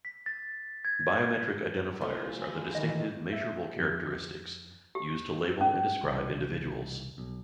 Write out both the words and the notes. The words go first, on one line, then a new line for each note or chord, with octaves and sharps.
Biometric identifiers are the distinctive, measurable characteristics used to label and describe individuals.
B6
A6
G#6
F3 A3 E4 F4 C5
F#3 G#3 G#5
D#3 E3 D#5
E5
F2
G4
C#4
E1 C2
B1